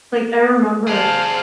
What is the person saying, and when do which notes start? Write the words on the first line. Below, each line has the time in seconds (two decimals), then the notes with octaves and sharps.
Like, I remember
0.88 G#4 C5 D5 F5 A5